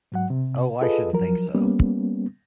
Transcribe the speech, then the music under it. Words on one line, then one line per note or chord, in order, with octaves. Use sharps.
Oh, I shouldn't think so.
G#2 F#3 F#5
C3
F4 G#4 A4 B4 D#5
F3 F#3 A#4
G3 A#3 B3 C#4